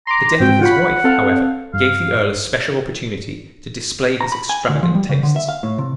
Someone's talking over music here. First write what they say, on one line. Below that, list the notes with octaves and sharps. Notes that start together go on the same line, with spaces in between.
The death of his wife, however, gave the earl a special opportunity to display his extravagant tastes.
A#5 C6 D6
G#2 C4 F#4 G5
F4 C#5 F#5 B5
C4 A4 F5
G2 F5
A#5
B5
G#5
D2
F3
G3
C#3
D3
E5
F5
A2
C3